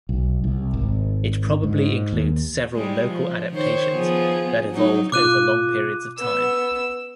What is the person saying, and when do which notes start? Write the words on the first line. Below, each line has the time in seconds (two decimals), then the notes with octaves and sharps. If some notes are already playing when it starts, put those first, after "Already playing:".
It probably includes several local adaptations that evolved over long periods of time.
0.09 B1
0.44 C2
0.74 G#1
1.63 G#2
2.12 D#2
2.74 G3 G#3
3.07 F3
3.54 D#3 C5 C#5
3.94 F3 B3 G#4
4.71 F#3 D#4
5.12 B2 F4 D6 F#6 D#7
6.17 B3 E6